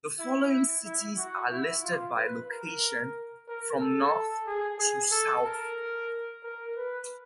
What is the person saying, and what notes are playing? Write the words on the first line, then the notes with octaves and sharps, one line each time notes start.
The following cities are listed by location from north to south.
E4
E4
F#4
E4
F4
B4
A#4
A#4
A4
G#4
G#4
A4
A#4
A#4
B4